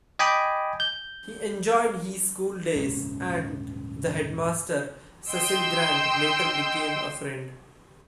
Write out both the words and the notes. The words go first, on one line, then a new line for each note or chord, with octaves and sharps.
He enjoyed his schooldays, and the Headmaster, Cecil Grant, later became a friend.
D#5 G5 G#5 B5 D6
G6
D#1 G#2 C#3 C#4
D#5 G5 C6 E6